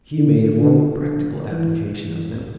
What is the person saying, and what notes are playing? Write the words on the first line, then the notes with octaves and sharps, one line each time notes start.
He made a more practical application of them.
D3
D3
E3